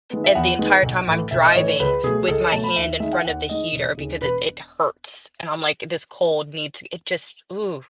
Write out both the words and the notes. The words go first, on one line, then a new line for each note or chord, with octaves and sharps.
and the entire time I'm driving with my hand in front of the heater because it it hurts. And I'm like, "This cold needs" It just Ooh,
D#3 G#3 B3
E5
E2 F#5
D#3 G#3 B3
B1
A2 E3
B1 E5
D#5
A2 E3 C#5
C#5
C#2 B4
B2 F#3 A3 G#4
C#2 A4
C#5
B2 F#3 A3 A5
B5
D#2 E5
D#3 G#3 D#4 E5
F#5
D#2 F#5
D#3 G#3 D#4 D#5
E1
D#2 C#3
E1 B4